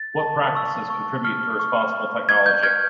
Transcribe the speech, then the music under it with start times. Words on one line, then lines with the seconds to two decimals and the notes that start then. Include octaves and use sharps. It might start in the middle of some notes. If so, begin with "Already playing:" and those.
What practices contribute to responsible technology?
Already playing: A6
0.20 A5
0.55 C#6 E6
0.90 C#6
1.25 F6
1.59 C#6
1.94 F6
2.29 C#6 G#6
2.46 G6
2.63 F6 G#6